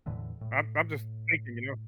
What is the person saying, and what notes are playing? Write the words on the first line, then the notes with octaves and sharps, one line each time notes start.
I'm I'm just thinking, you know?
E2 A2 D3 E3
A2